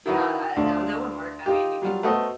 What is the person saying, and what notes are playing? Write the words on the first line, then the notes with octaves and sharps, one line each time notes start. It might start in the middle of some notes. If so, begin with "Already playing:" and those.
Yeah, uh, that would that would work, I mean, you could,
D#3 E4 F#4 B4
D2 D4 F4
D#4 F4 G4
F#3 G3 F4 F5
A3 B3 F#4 C5 D#5 F#5